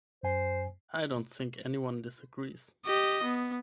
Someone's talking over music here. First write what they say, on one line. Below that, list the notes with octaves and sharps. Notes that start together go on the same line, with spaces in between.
I don't think anyone disagrees.
F#2 C5 G#5
G4 D#5
B3